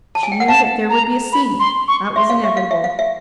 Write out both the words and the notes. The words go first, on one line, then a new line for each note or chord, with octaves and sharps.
She knew that there would be a scene; that was inevitable.
A5
G#5
G5
F#5
F5 A5
A#5
B5
C6
C#6
E5 C6
F5
E5 C#6
F5
E5
F5
E5